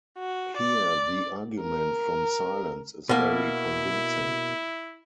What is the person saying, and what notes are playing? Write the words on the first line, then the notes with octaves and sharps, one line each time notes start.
Here the argument from silence is very convincing.
F#4
D5
A#4
B2 A#3 E4